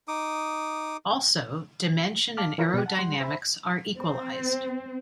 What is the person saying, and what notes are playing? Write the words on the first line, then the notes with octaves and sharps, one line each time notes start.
Also, dimension and aerodynamics are equalised.
D#4 D6 D#6
F5 A5 D6 F6
E3 E4 F4 A#4 C#5
B2 G4
F#5 A5
G3 F#5 C6
C5 E5 B5
C4